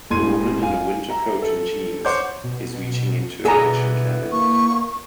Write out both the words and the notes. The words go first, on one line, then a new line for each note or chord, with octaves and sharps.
A woman in a winter coat and jeans is reaching into a kitchen cabinet.
E1 A2 C6 G#6 D#7
F5 G#5
E5 A#5
A4
C5 C#5 F#5 D6 G6
B2
B2 D3 E3 B3 G#4 A#5
A#3 C#6